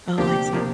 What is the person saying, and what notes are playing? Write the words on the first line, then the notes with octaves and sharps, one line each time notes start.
Oh, I see.
D2 C3 F3 A#3 D4 G4
C3 F3 A#3 D4